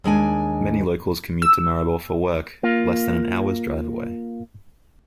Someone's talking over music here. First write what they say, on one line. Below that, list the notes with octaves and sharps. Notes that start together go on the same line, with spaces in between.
Many locals commute to Maribor for work, less than an hour's drive away.
D#2 G#3 D4 G#5
E6
A#3 F4